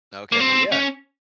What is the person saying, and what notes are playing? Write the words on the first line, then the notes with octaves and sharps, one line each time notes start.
Okay, well, yeah,
A#3
C4
C#4